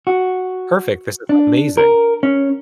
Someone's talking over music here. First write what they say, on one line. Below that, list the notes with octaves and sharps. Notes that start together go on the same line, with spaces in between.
perfect. This is amazing.
F#4
D4
A#4
C#4